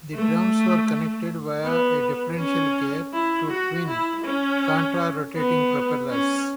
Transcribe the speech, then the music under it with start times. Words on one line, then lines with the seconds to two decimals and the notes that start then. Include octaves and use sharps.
The drums were connected via a differential gear to twin contra-rotating propellers.
0.14 A3
1.64 B3
2.38 C#4
3.13 E4
3.50 F#4
3.87 E4
4.25 C#4
5.37 B3
6.10 C#4